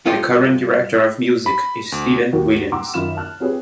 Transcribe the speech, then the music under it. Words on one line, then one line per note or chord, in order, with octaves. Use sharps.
The current Director of Music is Stephen Williams.
G2 F4 A4 D#5 G5 C6
B5
D2
D#2 A#3 F#4 G4
F#5 G5 A#5 C6 D6 E6
F#2 D#3 F4 B5 F6 E7
A5 F6 F#6
C4 F4 G4 G#4 B4 C#5